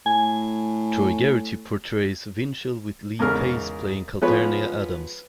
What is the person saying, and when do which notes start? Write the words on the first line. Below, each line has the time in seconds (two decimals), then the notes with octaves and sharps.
Troy Garity portrays Winchell with Lee Pace playing Calpernia Addams.
0.06 A2 G#5
3.19 E2 G#2 C#3 A#4 F6
4.22 F3 G#3 B3 F4 B4 C#5